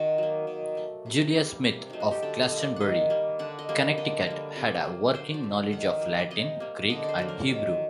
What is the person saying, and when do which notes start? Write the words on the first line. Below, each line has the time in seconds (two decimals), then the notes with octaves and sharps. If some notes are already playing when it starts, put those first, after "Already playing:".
Julia Smith, of Glastonbury, Connecticut had a working knowledge of Latin, Greek and Hebrew.
Already playing: D#3 F#4
0.18 F#3 A#3
0.47 D#3
0.77 A3
1.06 C3
1.35 G3 A#3
1.64 C3
1.90 F#3 A3 D#4
2.00 F#4
2.11 G4
2.23 D3 A4
2.42 D#5
2.51 G3 A#3
2.61 D5
2.76 D#3 D#5 F#5
3.10 G3 A#3
3.39 D3 F#5
3.59 D#5
3.69 G3 A#3
3.78 F#5
3.98 D3 D#5
4.27 G3 A#3
4.56 C3 D5
4.85 F#3 A#3
5.14 D3 C5
5.34 D5
5.44 A3
5.54 F#5
5.72 D#3 F#5
6.02 G3 A#3
6.20 D5
6.31 C3 D#5
6.60 G3 A#3
6.89 D3 D#5
7.03 D5
7.09 C5
7.19 F#3 A#3
7.28 A#4
7.48 D#3